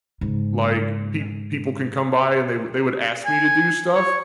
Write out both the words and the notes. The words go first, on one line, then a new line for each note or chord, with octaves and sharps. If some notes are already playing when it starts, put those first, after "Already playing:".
Like, pe people can come by and they wou they would ask me to do stuff,
G#2 C#3
G#5
C#5